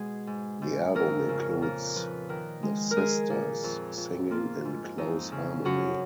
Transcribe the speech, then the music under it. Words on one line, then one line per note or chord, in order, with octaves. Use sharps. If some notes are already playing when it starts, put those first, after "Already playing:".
The album includes the sisters singing in close harmony.
Already playing: B2 G#3 G#4
G#2
G#2
F2 A#4
C#3
A#2 A#4
F3 B4
D#3 A#4
G#3
A#4
G#3 G#4
A#2
F2
F2
A#3 F4
G#2
F2 D#4
C#3
F#2 F#4